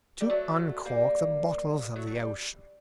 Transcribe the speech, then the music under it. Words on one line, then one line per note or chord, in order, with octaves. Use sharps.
"To uncork the bottles of the ocean."
G3
F#3 A3
G3 A#3
F#3 A3
A3
G3